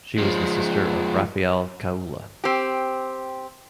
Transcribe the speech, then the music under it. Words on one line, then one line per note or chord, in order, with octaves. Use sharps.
She was the sister of Raphael Kaulla.
F3 G#3
C4 G4